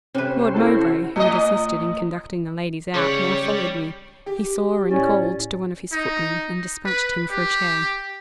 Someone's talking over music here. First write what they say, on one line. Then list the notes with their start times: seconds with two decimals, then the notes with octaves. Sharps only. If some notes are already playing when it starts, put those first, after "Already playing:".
Lord Mowbray, who had assisted in conducting the ladies out, now followed me; he saw, and called to one of his footmen, and despatched him for a chair.
0.15 C3 C#4 B4 C5
0.55 E4 F#4 A4
1.16 A2 D#5
2.94 C#3 G3 C#5
4.26 G4
4.91 A2 C#4 D5
5.92 D#4
6.86 B4
7.30 G4